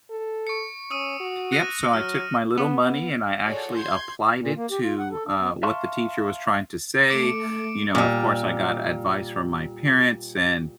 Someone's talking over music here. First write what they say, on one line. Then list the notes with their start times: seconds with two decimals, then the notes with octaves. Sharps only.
Yep, so I took my little money and I actually applied it to, uh, what the teacher was trying to say, you know, of course, I got advice from my parents, and,
0.10 A4
0.47 C#6 C#7
0.90 C#4 D#6 E6 D#7
1.20 F#4
1.52 F#6 A#6 D#7
1.93 F#3 F6
2.57 B3
3.45 F4 F#4 G#4 A4 C#5 D5
3.74 C6 G6 G#6
4.39 A#2
4.56 A#3
4.71 G4
4.83 F4
4.99 F#5
5.12 A4
5.26 D4
5.40 B3
5.63 E5 F5 A5 C6 C#6
7.10 A3 D6 C#7 D7
7.95 A#2 G3